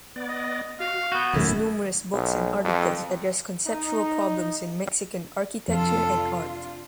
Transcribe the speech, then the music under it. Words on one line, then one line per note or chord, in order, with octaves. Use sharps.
His numerous books and articles addressed conceptual problems in Mexican architecture and art.
B3 D5
D#5
F#4 F5
B3 F#4 G6
E1 F#2 A#2 D#3 A3 E4
B1
F2
D#4
F2 C3 D4 F4 A4